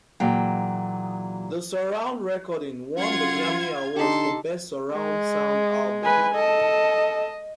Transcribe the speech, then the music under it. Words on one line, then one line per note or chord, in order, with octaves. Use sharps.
The surround recording won the Grammy Award for Best Surround Sound Album.
A#2 E3 F#3 G#4 F5 G5
F#2 F4 F#5 C6 G#6
D3 D#4 G4 A4 C6
G#3
B4 G#5
A4 D#5 A5